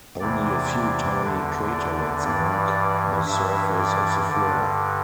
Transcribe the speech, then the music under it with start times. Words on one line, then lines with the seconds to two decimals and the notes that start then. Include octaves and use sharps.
Only a few tiny craterlets mark the surface of the floor.
0.20 E2 C3 E3 D5
1.23 E2 D3
1.73 D5
2.24 G2 E3 D5
3.27 G2 E3 E5
3.79 D5
4.29 G2 D3